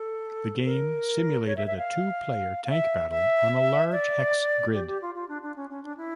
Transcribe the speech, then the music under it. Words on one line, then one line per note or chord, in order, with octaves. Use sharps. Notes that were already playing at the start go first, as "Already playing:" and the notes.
The game simulated a two-player tank battle on a large hex grid.
Already playing: A4
A#4
C#5
E5
E5
F5
F5
E5
E5
D5
G4
G4
F4
F4
D4
D4
C#4
C#4
D4
E4